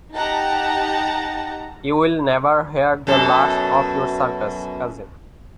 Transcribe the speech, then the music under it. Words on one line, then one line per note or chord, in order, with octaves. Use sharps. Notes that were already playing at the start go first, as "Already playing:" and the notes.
You'll never hear the last of your circus, cousin.
D#4 G4 F#5 A5 A#5
F#2 B2 A4